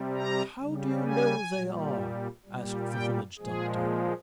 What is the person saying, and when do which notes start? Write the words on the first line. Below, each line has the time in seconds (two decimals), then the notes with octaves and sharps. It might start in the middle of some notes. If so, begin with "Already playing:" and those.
"How do you know they are?" asked the village doctor.
Already playing: C3 G3
0.15 A#5
0.61 C#3 G3
1.07 G#5
1.54 A#2 G3
2.46 A#2 G3
2.92 G5
3.38 A#2 F3 G#3 G#4